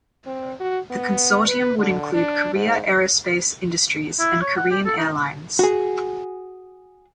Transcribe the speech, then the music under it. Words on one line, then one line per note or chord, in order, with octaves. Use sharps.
The consortium would include Korea Aerospace Industries and Korean Air Lines.
C4
F#4
B3
B4
D3
D4
G#2
E4
C#5
F#5
G4
A4
D#4
F#4 G#4